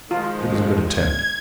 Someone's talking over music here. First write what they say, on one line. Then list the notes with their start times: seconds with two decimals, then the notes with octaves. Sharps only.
It was a good attempt.
0.11 D#3 F3 G#3 F4
0.86 G#6